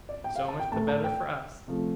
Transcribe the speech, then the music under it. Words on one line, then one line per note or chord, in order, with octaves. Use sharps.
"So much the better for us."
D5
G5
F5
A5
G5
A2 A3 A5
A5
G5
C3 F3 A3